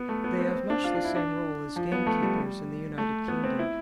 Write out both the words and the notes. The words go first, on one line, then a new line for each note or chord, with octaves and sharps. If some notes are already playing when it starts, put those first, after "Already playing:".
They have much the same role as gamekeepers in the United Kingdom.
Already playing: B3
A3
B3
C4
C4
D4
F4
D4
E4
D4
F3
B3
A3
G3
A3
B3
C4
E4